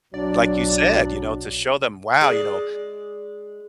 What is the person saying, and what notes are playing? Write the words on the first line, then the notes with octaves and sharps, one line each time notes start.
like, you said, you know, to show them, "Wow, you know,
B1 F#3 D4 D5
G#3 D5